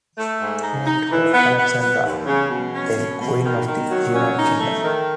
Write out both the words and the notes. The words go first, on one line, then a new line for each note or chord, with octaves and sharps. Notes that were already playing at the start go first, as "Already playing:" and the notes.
Named for Alexandra, then Queen of the United Kingdom.
A3
G#2
D#4
D#4
E3
B3
B3
B3
D#2
C#3
B2
C#4
B2
B2
D#3
D#3
F#3
C#4
D#4
A3
D#3